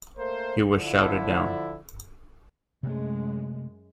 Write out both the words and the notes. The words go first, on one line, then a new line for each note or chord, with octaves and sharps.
He was shouted down.
A3 A#3 A#4 C5
D3 F3 E4
F#2 C3 G#3 A3